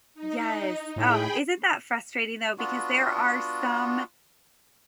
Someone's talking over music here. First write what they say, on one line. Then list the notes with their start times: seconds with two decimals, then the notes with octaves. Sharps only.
Yes, oh, isn't that frustrating, though, because there are some
0.14 D#4
0.96 A2 G#4 G5 B5
2.58 B3 D4 F4 F#4